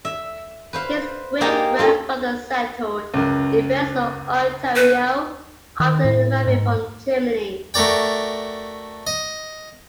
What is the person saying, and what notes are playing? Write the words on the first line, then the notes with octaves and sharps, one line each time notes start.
His great-grandfather settled in Breslau, Ontario after arriving from Germany.
E5
B4 C5 F5
A#3 D#4 G4 G#4 F5 A5
F4 A4
C#2 F#2
B4
D#3
A2
G#2
A3 F#4 A#4 D5 G5
D#5